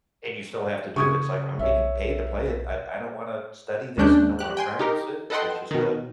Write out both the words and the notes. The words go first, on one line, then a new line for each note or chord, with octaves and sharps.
And you still have to do it. It's like, "I'm getting paid to play it. I I don't wanna study this. I don't wanna practice it." It's just a
C#3 C#6 D#6 G#6
B1 C#5 E5
D#2 G#3 C#4 D4 F#6 G6
G4 F#6
G5 G#5 C6
D#4 G4 A#4
A4 B4 D#5 F#5 G5 C6
B2 D#3